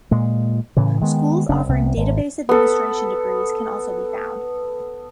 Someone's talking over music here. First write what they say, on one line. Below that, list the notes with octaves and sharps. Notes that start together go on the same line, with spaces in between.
Schools offering Database Administration degrees can also be found.
A#2 G#3
A2 C#3 E3
D#3 G#3 B3
F#1 C#3 C#4 D4
C2 C3 B3
G#1
B3 A4